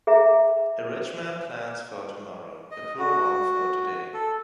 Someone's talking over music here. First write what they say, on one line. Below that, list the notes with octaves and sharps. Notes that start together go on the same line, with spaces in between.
A rich man plans for tomorrow, a poor one for today.
G#4 E5 A#5
D#5
F#4
A4